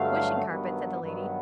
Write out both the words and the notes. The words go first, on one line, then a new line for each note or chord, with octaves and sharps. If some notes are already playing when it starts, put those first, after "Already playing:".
'The wishing carpet?' said the lady.
Already playing: G2 D3 F#3 A3 F5
G2 D#3 F#3 B3
G2 D#3 F#3 B3